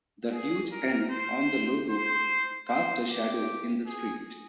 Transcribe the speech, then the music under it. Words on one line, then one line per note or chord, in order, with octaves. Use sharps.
The huge N on the logo cast a shadow in the street.
G#4
A#4
C5
C5
C5
G4
G#4